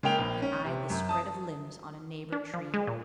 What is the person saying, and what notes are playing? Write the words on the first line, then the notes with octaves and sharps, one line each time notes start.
He eyed the spread of limbs on a neighbor tree.
C#3 G#3 A#3 G5 F7
A#1
C#4
C3
F#2
A5 D#6
D4
F3
G#3
A#2